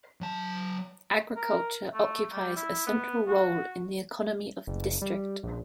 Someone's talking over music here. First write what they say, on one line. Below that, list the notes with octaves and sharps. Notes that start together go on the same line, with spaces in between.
Agriculture occupies a central role in the economy of the district.
F#3 A5
A#4
A3
G3
E4
B3
F#4
F#1
G3
A#1